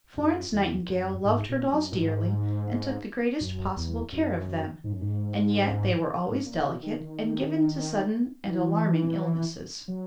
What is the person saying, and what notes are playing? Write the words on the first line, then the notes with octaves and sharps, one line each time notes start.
Florence Nightingale loved her dolls dearly, and took the greatest possible care of them; and yet they were always delicate and given to sudden and alarming illnesses.
F#2
E2
F#2
G#2
A#2
F#2
A#2
G#2
F#2
E2
F#2
G#2
F#2
G#2
G#2
A#2
B2
D#3
D#3
E3
F#3